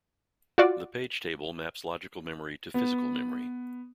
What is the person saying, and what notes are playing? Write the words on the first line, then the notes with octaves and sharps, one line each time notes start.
The page table maps logical memory to physical memory.
F4 F#4 D5
B3